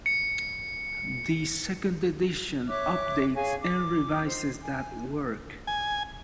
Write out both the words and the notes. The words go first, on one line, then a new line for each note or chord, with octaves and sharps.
The second edition updates and revises that work.
C#7
C#5 E5 D6 F#6
G#4 C#5 F5 G#5
D6
C5
G#5
G#5